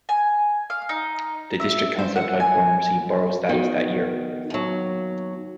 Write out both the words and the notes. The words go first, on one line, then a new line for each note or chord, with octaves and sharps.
The district council applied for and received borough status that year.
G#5
F5
D#4
E5
C5
F#5
G#5
D#3 B3 F#4
D#2 F#3